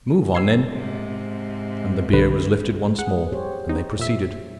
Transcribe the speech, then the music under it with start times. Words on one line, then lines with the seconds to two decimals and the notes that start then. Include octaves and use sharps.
"Move on, then." And the bier was lifted once more, and they proceeded.
0.35 E6 G#6 C7
0.71 G#2 C3
2.13 B1 D3 B4
2.99 G#4 F#5
3.32 G4 C5 C#5
3.69 D#4
3.99 A#2 E5